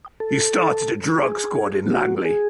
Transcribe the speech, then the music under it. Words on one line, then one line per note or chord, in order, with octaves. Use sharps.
He started a drug squad in Langley.
A4
G#4
F#4
G#4